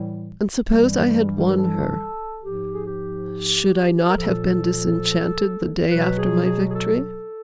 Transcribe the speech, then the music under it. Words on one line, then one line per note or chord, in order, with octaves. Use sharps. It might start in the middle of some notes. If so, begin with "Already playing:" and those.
And suppose I had won her, should I not have been disenchanted the day after my victory?
Already playing: A2 E3 G3
G2 E3 G3
A#4
A4
G#2 F3 G4
G#4
G4
A#4
A#2 F3 A4
B2 F#3 B4
G#4
G#4
G#4
A4